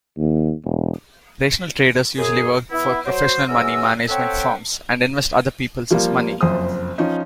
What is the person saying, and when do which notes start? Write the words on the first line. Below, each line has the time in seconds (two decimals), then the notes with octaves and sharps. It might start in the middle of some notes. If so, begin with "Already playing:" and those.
Rational traders usually work for professional money management firms, and invest other peoples' money.
0.18 D#2
0.64 E1
2.17 F#2 G#4
2.71 B3 E4
3.05 F#3 C5
3.48 E3 F#3 G#4 A#4 E6
4.09 C4 A4 C#5 E5 F#5 G5
5.91 F3 G3 A#3
6.41 F#1 F2 C5 D#6
6.98 F3 C#4 D#4